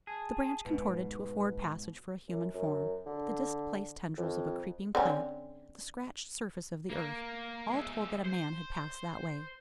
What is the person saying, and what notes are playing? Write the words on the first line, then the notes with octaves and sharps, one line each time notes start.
The branch contorted to afford passage for a human form--the displaced tendrils of a creeping plant-- the scratched surface of the earth--all told that a man had passed that way.
G#4 A5
G#2 B2 B4
F#2
F#2
D3
F2
D3 C4 C#4
A#3
G#3 E5
C5